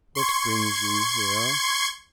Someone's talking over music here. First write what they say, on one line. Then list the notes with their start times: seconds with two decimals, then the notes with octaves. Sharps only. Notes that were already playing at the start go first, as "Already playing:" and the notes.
"What brings you here?"
0.15 C6 C#6 G#6